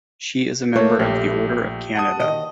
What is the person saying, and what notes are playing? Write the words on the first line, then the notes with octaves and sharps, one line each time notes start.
She is a Member of the Order of Canada.
A3 A#3 C#5
A#1 A3 G4
F#5 A5 D#6
D#3 D#5